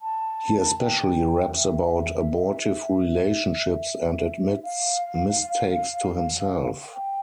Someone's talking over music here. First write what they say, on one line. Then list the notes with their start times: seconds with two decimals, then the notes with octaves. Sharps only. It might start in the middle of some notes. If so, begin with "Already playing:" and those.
He especially raps about abortive relationships and admits mistakes to himself.
0.02 A5
0.79 G5
1.56 E5
4.63 F5
6.94 G5